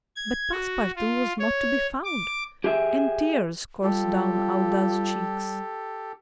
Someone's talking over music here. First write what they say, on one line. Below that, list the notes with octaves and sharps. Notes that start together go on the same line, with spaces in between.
But Passepartout was not to be found, and tears coursed down Aouda's cheeks.
G#6
F#4
F4
C#5
D6
G4 G#4 E5
G3 F4 G4 A4